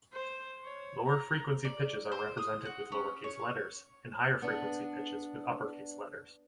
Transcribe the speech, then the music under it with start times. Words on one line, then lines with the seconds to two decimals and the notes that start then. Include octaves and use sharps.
Lower-frequency pitches are represented with lowercase letters and higher-frequency pitches with uppercase letters.
0.13 C5
0.64 C#5
1.06 A#5
1.65 D5
2.12 C5
2.37 D#6
2.65 F#4
2.92 C#4
3.24 C#5
4.42 B3 D4